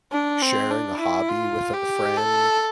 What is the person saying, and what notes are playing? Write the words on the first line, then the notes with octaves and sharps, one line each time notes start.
sharing a hobby with a friend
D4
C4
D4
E4
F4
G4
A4